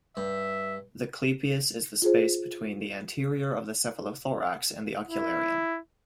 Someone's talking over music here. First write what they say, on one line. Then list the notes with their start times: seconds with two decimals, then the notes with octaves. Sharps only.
The clypeus is the space between the anterior of the cephalothorax and the ocularium.
0.17 G2 E5
2.02 F4 G#4 C5
5.08 E4